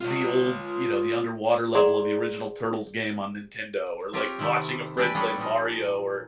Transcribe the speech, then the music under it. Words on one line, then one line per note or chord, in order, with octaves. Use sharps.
the old, you know, the underwater level of the original Turtles game on Nintendo or, like, watching a friend play Mario or,
F4 C#5
G#4 A4 D5 F#5 A#5 C6
C4 F4 G4 A#4 C#5
C3 D#3 A3 E4
E3 D4 G4 B4
G3 B3 D4 A4 C#5 D#5
A#2 F3 D#4